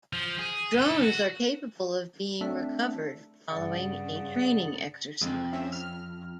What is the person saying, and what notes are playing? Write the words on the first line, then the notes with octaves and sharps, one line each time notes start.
Drones are capable of being recovered following a training exercise.
F3
G#4
C#2 A4
F#4
A3 C4 D4 E5
G2 C#3 G#4 D5 F#5
F2 G#3 C4
C4 C#4 E5
F6